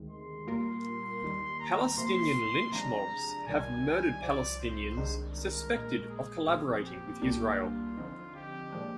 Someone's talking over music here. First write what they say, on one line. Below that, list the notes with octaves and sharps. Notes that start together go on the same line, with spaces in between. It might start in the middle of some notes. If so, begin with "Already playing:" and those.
Palestinian lynch mobs have murdered Palestinians suspected of collaborating with Israel.
Already playing: D2 C3 D#3 G#3
C6
A#2 G3 A#3 F4 A#4
C6
D#2 D#3 G3
A#5
C3 F3 A#3 C6
C3 F3 G#3 D4 A#5
C2 C3 D#3 G3 D4 G#5
C2 C3 F3 D5
C5
C2 C3 D#3 G#3 D4
A#4
A#1 A#2 G#3
G#4
A#1 A#2 F3 C4
G4
C2 A#2 G3 A#3 D4
F4
D3 F3 C4 D#4
G4
A#2 F3 G#3 D4